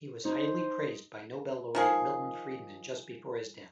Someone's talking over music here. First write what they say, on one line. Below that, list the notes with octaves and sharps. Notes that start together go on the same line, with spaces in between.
He was highly praised by Nobel laureate Milton Friedman just before his death.
D#4 C5
D#3 F3 G#4